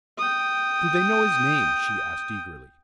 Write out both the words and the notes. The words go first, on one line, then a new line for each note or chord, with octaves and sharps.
"Do they know his name?" she asked eagerly.
G5 D#6